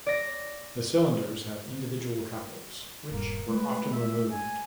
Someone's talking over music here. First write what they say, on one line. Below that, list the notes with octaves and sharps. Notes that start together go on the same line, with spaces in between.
The cylinders have individual cowls, which were often removed.
D5 A#6
D#1 G2 A#3
G#3 A3 B4
E5
G#5